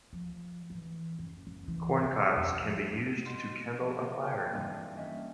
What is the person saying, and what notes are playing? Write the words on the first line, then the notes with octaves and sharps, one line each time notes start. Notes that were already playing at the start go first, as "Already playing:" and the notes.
Corn cobs can be used to kindle a fire.
F3
E3
F#2
F#2
E3
G#2
B2
F2
F3
B2 C6 F6
F3
D3 A#3 F4 G4 A#4 C5
G5 A5 F6
F2 E3 G3 A#3 D4 D#4
C#4 D#5 E5 G#5